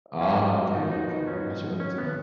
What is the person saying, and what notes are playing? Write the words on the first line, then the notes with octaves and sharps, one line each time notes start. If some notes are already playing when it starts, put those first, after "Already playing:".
Ah, okay, okay, I r I should look into that.
F3 B3 C#4 F#4 A#4 D#5
D#4
D#4
D#4
C#4
C#4
B3